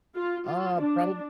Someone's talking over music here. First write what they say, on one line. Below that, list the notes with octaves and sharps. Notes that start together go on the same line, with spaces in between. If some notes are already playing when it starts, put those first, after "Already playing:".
Uh, probab
F4
F4
D4